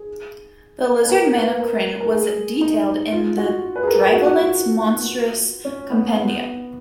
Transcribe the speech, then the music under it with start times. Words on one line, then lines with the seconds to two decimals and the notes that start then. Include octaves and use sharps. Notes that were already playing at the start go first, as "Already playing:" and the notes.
The lizard man of Krynn was detailed in the "Dragonlance Monstrous Compendium".
Already playing: G#4
1.04 B4
1.09 A#4
1.35 B4
1.60 A#4
2.00 A#4
2.10 G#4
2.61 D#4
3.12 F4
3.37 F#4
3.76 B4
3.83 G#4
3.88 A#4
4.01 G#4
4.13 F#4
4.26 F#4
4.38 F4
5.65 C#4
5.90 B3
6.15 B3